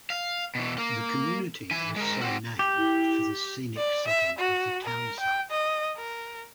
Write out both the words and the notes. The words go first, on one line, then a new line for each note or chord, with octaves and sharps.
The community was so named for the "scenic" setting of the town site.
F5
B2 E3
A#3
E3 G#5
G#3 A#4
C4 F#4
G4
E4
D5
E5
F#4
A#4
G5
D#5
A#4